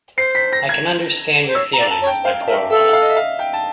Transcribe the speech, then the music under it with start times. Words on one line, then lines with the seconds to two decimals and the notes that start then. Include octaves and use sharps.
I can understand your feelings, my poor woman.
0.17 C5 C7
0.35 B6
0.53 A#6
0.69 G#6
1.47 C5
1.55 C#5 E6
1.73 A#5
1.78 D5
1.90 A5
2.02 C#5
2.07 G5
2.24 C5 F5
2.47 A#4 E5
2.70 A4 E5
2.93 F5
3.02 D#5
3.09 E5
3.16 F5
3.39 G5
3.53 A5